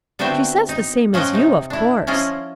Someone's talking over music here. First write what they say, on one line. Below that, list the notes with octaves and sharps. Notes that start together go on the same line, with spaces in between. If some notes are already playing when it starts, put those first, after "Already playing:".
"She says the same as you, of course."
D3 B3 C4 F#4 E5 G5
D#4
F3 C#4 D#5 F#5 G5
C3 D#4
D4 E4
F3 C#4 E4 F4 D#5